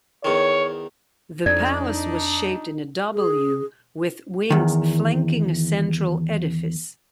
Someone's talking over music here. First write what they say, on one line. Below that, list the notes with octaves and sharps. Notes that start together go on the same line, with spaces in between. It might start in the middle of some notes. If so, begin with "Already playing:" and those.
The palace was shaped in a 'W' with wings flanking a central edifice.
E2 D#3 C#5
F2 D4 D#4 D5
G#4
E2 D#3